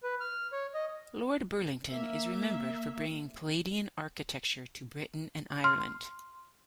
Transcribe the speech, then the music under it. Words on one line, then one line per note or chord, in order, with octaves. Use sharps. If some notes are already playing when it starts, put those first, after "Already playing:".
Lord Burlington is remembered for bringing Palladian architecture to Britain and Ireland.
B4
F6
C#5
D#5
A#3 E5
C6 F6